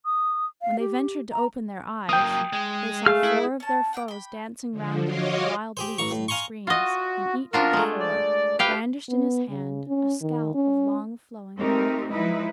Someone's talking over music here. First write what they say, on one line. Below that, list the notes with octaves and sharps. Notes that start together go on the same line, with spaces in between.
When they ventured to open their eyes they saw four of their foes dancing round them with wild leaps and screams, and each of the four brandished in his hand a scalp of long flowing black hair.
D#6
F5
G4
A#5
F#3 A#3 G5 D#6
G#3
A3 G#4 F5 F6
E4
C#4 A5
F#5 G5 B5 D6
G5 B5
D3 F3
F#4 C#5 D#5 F5 C6 D6
G4 G#4 C5
A1 A#5 C#6
A2
F5 G#5 A#5 C6 C#6
F4 F#4 D#5
F3 D4 F4 F#4 A#4
G#3 A3
D5
D2 G4 B4 F5 G5
B3
C#3
C#4
D#3
C#4
G#3 A3 C4 D#4 G4 A#4
F3 G#3 D#4 E4 B4 D#5